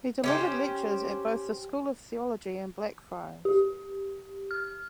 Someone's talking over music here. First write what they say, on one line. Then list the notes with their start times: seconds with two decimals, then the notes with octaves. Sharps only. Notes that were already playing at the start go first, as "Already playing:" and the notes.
He delivered lectures at both the School of Theology and Blackfriars.
0.24 C#4 G4 C5
3.45 G4
4.51 F6